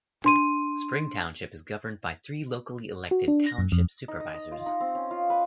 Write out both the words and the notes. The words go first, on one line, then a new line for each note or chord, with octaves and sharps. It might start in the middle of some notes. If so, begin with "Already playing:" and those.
Spring Township is governed by three locally elected Township Supervisors.
D4 C6 D#7
F#4
D4
A#6
F#2
F2
D#4
D#5
D#5
F4
D#4
C4
C#4
F4
B4